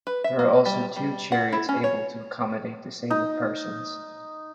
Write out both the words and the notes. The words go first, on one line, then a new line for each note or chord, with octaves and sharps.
There are also two chariots able to accommodate disabled persons.
B4
E5
A#3
G3
G3
F#5
E4
C#4
C#5
D#4